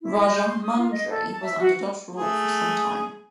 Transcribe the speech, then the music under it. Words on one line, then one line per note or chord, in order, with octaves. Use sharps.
Rajahmundry was under Dutch rule for some time.
E4
D#5
G6
C6
D#6
F4
D#5
A4
A5
E5
F#4
A3 G#4